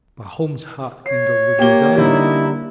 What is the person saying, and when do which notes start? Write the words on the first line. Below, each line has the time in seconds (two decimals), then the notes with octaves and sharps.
Pahom's heart kindled with desire.
1.06 C#5 C7
1.59 A#3 G4 G7
1.96 D3 G3 D#4 E4